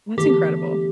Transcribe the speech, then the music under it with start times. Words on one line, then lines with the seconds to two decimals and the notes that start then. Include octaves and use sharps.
That's incredible.
0.17 E2 D3 A3 G4